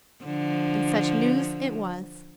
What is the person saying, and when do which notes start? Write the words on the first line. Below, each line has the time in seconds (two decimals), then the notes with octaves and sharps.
And such news it was!
0.25 D3 F3